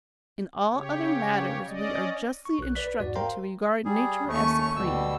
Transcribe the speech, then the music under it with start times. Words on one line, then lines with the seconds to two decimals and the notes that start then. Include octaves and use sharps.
In all other matters we are justly instructed to regard Nature as supreme.
0.72 C#3 G4 C#5
1.67 C#4 D5 D#5
2.45 C#6
2.59 B1 F#6
2.75 B4 D5 B6
2.87 B4
3.00 E2 G#2 F#4 D5
3.15 A#4 C5 F5 G5 A#5 C6
3.85 G3 G#4
4.28 D#2 A3 C#4 C#6
4.76 D2 B2 G3 E6